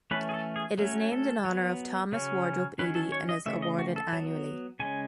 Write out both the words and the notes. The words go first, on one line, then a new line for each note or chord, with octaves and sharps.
It is named in honour of Thomas Wardrope Eadie and is awarded annually.
E3 A3 C#4 B4
G#4
A4
G#4
F#3 A3 C#4
A4
F#3 B3
C#3 F#3 C#4
D#3 F#3 C#4 B4
A4
C#5
D#5
C#3 E3 A3 E5
D#5
F#4
A4
F#3 B3
C#3 G#3 C#4 G#5